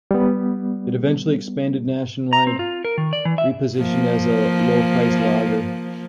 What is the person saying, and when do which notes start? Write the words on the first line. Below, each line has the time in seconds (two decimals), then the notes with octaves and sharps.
It eventually expanded nationwide, repositioned as a low-price lager.
0.11 G3 B3
2.33 A#5
2.47 C4
2.59 F4
2.85 A#4
2.98 D#3
3.13 D5
3.25 E3
3.38 E5
3.78 F3 A#3